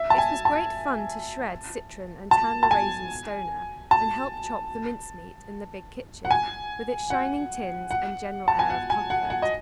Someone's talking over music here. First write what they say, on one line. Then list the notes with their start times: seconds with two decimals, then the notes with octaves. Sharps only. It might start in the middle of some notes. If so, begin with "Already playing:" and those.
It was great fun to shred citron and turn the raisin-stoner, and help chop the mince-meat, in the big kitchen, with its shining tins, and general air of comfort.
Already playing: E5
0.10 A5
0.18 G#5
0.45 A5
2.31 A5
2.63 A5
2.71 G#5
3.91 A5
6.25 F#5
6.31 G#5
7.10 F#5
7.91 F#5
8.48 A5
8.59 G#5
8.70 F#5
8.90 G#5
9.10 F#5
9.30 F#5
9.42 D#5